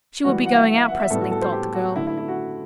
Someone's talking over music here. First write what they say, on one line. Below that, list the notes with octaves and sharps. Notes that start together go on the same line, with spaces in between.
"She will be going out presently," thought the girl.
E3 G3 B3 F#4
F#5
E5
E5
F#5
E5
A2 G3 B3 A4
F#4
A4
C5
G4
F#4
D3 F#3 A3 E4
E4
E4
F#4